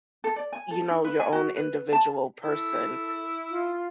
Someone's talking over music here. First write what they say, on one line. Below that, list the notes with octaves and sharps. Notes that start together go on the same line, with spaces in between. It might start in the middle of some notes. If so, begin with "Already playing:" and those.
you know, your own individual person
A4
D5
G#5
A4
D#4
B4
G#5
F#4
B4
A5
E4 A4
F4